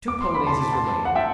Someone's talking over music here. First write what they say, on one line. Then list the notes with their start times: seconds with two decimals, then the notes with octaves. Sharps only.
Two Polonaises remain.
0.08 D6
0.21 C6
0.35 B5
0.47 A5 C6
0.72 A5 C6
1.05 F#5 A5
1.16 E5 G5